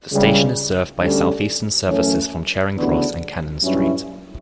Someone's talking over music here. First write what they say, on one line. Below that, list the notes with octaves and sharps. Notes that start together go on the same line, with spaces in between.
The station is served by Southeastern services from Charing Cross and Cannon Street.
C#2 C#3 G3
D2 D3 G3 C#4
F#2 E3 A3 C#4
D2 C#3 E3 B3 D4
G2 F#3 C#4 E4